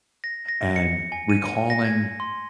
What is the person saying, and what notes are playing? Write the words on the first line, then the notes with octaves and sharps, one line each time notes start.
and recalling
A#6
A#6
C#7
G#5
D#7
A#6
G#6
C6